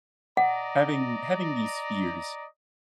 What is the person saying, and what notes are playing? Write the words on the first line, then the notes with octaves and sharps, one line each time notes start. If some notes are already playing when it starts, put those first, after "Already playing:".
having having these fears
D5 D#5 F#5 A#5